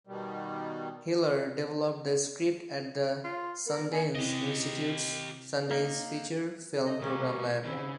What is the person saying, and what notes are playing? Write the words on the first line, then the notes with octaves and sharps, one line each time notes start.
Heller developed the script at the Sundance Institute's Sundance Feature Film Program Lab.
B2 D#3 G3
F4
B3 A#4
B3 G#5
C3 C4 E4 G4 D#5
A#3 D#4
G#3 A3 D#5
B2 G3 A#3 C#4 A#4
D#2 G#2 D#3 C4 C#4 E4
C#3